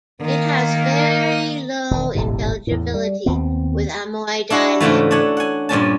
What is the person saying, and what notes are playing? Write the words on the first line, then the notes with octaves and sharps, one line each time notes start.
It has very low intelligibility with Amoy dialect.
D#3 A#3
E1 D#3
D#1 G#1 A2 C3
E2 A2
G3
D#2 B3 C4
D4 E4 F#4 F#5
G#2 C#3 E3 A3
D4 A4 C#5 F#5 G#5
F#5 G#5
G2 A#2 C#4 A5